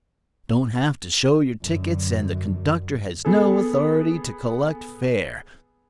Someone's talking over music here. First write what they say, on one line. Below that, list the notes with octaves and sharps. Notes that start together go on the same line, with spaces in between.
Don't have to show your tickets, and the conductor has no authority to collect fare.
F#2 D3
B3 G#4 A4